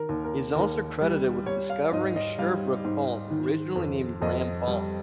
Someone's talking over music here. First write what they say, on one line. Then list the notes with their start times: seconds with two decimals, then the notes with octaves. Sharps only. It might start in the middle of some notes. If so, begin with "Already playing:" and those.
He is also credited with discovering Sherbrooke Falls, originally named Graham falls.
Already playing: D#3 A#4
0.09 D#2
0.24 A#4
0.55 D#2 A#4
1.01 G3
1.46 G3 C#5
1.70 F5
1.92 G#2 D#5
2.16 D#5
2.38 G3 F5
2.84 G#2
3.30 D#3
3.76 F2
4.22 F2 D#5
4.67 G3